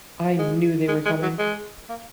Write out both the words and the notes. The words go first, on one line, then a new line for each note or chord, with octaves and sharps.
I knew they were coming.
G#3
G#3
G#3
F#3
G#3
A#3